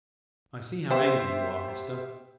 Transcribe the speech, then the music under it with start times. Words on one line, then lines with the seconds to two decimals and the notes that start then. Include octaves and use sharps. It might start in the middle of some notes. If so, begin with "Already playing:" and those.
I see how angry you are, Hester.
0.90 B3 G4 C5 E5